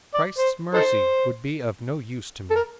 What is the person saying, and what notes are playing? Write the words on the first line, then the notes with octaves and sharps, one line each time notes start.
Christ's mercy would be of no use to me.
D5
C5
D#4 A4 C5
A4
A#4